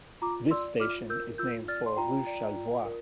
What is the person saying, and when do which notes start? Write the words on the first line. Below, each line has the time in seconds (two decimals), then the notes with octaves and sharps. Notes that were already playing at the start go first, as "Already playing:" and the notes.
This station is named for rue Charlevoix.
0.22 F4 A#5 D6
0.51 D5 C6 E6
0.80 F4 D6 F6
1.10 A#4 E6 G6
1.38 F4 E6 G6
1.68 D5 F6 A6
1.86 C6
1.97 F4 G5 A#5
2.27 D5
2.56 F4
2.85 A#4